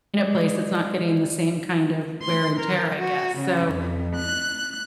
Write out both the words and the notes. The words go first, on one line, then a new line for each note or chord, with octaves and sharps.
place that's not getting the same kind of wear and tear, I guess, so
F#3 G#3 D5 D#5
G#3
C6
A#4
F#4
C#3
F2
F#6